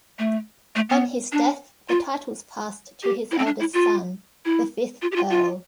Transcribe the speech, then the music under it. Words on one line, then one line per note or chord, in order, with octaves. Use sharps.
On his death the titles passed to his eldest son, the fifth Earl.
A3
A3
B3
D4
F4
G4
E4
C4
D4
E4
F4
E4
F4
G4
F4
F4